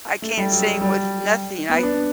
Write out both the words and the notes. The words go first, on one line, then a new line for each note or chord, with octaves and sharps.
I can't sing with nothing, I
A3
G3
F#3
G3
B3
D4